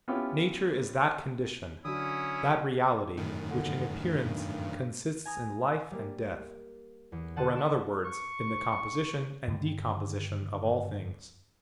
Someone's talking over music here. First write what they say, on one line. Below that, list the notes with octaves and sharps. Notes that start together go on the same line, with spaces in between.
Nature is that condition, that reality, which in appearance consists in life and death, or, in other words, in the composition and decomposition of all things.
B3 C#4 E4 F4 G4 C#5
D3 F#3 C#4 E4 D#6
F#2 A2 D#3
D3
G2
G#5 A#5 D#6
G3 A#3
E2
D3 F#5 A5 C6 D#7
C6 C#6 B6 E7
C#6
G2 D3 D#3 G3